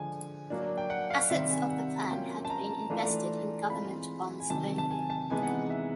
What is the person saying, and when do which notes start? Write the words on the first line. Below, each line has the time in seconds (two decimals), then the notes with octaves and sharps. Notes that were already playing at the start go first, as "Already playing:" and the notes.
Assets of the plan had been invested in government bonds only.
Already playing: D3 F3 G#3 G#5
0.50 F#3 A#3 D4
0.78 G5
0.90 F#5
1.10 F5
1.30 C3 D#3 G3 C4 E5
1.50 G#5
1.69 F#5
2.10 F#3 A#3 C#4 F4 G5
2.45 A5
2.50 A#5
2.90 E3 A3 D4 F4
3.70 E3 G#3 C4 F4 B5
4.40 G#5
4.50 C3 D#3 F#3 A5
4.78 A5
4.91 G#5
5.10 A5
5.30 C3 E3 G#3 B3 D#4 G#5
5.43 F#5
5.70 E5